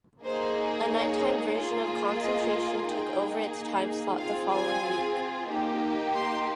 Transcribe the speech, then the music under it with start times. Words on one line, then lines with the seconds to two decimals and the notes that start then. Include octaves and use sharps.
A nighttime version of "Concentration" took over its time slot the following week.
0.25 A#3 D#4 G#4 C5
0.90 C#5
1.56 A#3 F4 G#4
2.22 D#5
2.87 A#3 D#4 G#4 G5
4.18 C4 F4 G#4 F5
4.51 G#5
5.49 A#3 D#4 G4
6.14 C6